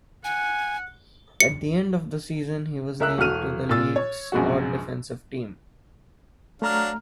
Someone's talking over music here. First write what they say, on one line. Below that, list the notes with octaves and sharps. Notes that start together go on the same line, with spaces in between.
At the end of the season, he was named to the league's All-Defensive Team.
F#5 G#5
C#7
C#2 A#4 E5 E6 F#6
E1 F#4 A4 F6 D#7 F7
A#2 F4 E6 A6
C#5
A#1 F#2 B2 G#3 F#4
F#3 A3 D4 F5 A#5 F6